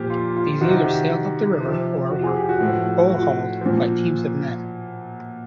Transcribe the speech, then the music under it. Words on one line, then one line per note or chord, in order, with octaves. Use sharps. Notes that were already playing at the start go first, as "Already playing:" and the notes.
These either sailed up the river, or were bow-hauled by teams of men.
Already playing: A#2 F3 G4
F4
F4
C3 D#3 F#4
G4
C3 F3
F#4
G#4
G4
F#4
A2 F3
F#4
A#2 F3